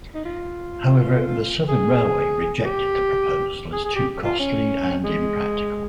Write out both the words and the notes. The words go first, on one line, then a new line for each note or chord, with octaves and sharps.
However, the Southern Railway rejected the proposal as too costly and impractical.
D#4
F4
G#4
G4
G#4
G#4
G4
F4
C#4
G#3